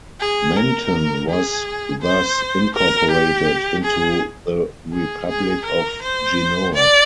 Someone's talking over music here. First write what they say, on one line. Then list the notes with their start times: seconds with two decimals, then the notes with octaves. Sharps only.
Menton was thus incorporated into the Republic of Genoa.
0.21 G#4
0.57 A#4
1.29 G#4
2.02 C5
2.75 A#4
3.11 G4
3.84 G#4
4.93 G#4
5.29 G#4
5.65 A#4
6.02 C5
6.74 D5